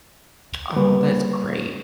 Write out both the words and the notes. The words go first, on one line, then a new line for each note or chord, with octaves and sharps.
Aw, that's great.
G3 A#3 B4